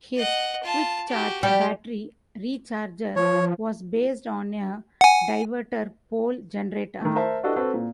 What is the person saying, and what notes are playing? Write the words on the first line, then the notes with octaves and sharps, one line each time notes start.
His "quickcharge" battery recharger was based on a diverter pole generator.
D#5 F#5
F4 A5
F#4 G4
G3 G4
F3 C#5
F#5 G#5
D#3 A3
A#4 C5 E5 A5
D4 F#4 G4 A4 B4 D#5
C4 F#4 A4 B4
A#2